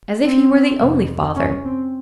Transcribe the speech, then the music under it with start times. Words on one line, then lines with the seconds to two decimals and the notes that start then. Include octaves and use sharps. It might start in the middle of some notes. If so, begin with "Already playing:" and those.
"As if he were the only father."
0.22 C4
0.78 F2 C3
1.35 C#4
1.63 C4